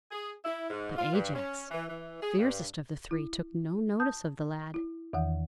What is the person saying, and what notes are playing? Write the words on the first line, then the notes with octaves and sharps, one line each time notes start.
But Ajax, fiercest of the three, took no notice of the lad.
G#4
E4
G#2
F4
G2
C#4
E3
E3
G#4
G2
E4
A5 D#6 G6
E4
E2 D#3 E3 F#5